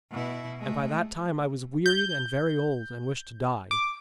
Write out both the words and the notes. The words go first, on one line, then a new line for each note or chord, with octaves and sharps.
And by that time I was wearied and very old, and wished to die.
B2 E4
G#3 A3
G6
D6